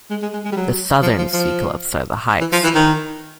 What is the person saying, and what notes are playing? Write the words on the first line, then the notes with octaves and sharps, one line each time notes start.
The Southern sea-cliffs are the highest.
G#3
G#3
G#3
G#3
G3
F#3
F3
F3
F3
E3
F3
E3
D#3